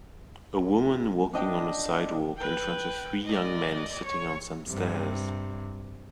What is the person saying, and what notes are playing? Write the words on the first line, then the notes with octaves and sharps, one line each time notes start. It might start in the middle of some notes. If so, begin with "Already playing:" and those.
A woman walking on a sidewalk in front of three young men sitting on some stairs.
D4 D#5 G5
B4 G5
D5 D#5
C#5 C#6
G2 C3